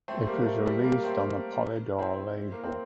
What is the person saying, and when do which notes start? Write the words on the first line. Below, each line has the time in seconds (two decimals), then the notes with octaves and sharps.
It was released on the Polydor label.
0.08 A3 C4
0.27 G3 A#3
0.46 A3
0.66 G3
0.84 G3 A#3
1.03 A3 C4
1.98 C4 E4
2.52 A#3
2.64 C4